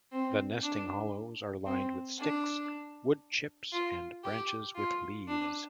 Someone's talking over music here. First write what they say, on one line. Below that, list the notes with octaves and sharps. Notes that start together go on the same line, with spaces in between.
The nesting hollows are lined with sticks, wood chips and branches with leaves.
C4
D4
C4
D4
F4
G4
F4
D4